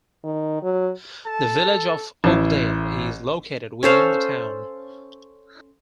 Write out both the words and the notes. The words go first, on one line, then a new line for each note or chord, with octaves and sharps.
The Village of Oakdale is located within the town.
D#3
F#3
A4 A5
A1 E4
C#4 A4 C5 F5